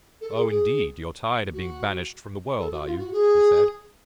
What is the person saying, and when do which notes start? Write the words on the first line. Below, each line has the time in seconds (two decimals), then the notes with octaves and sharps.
'Oh, indeed; you're tired of being banished from the world, are you?' he said.
0.21 A4
0.34 G#4
0.48 G#4
1.53 F#4
2.59 A4
2.72 F#4
2.86 F4
2.99 F#4
3.12 G#4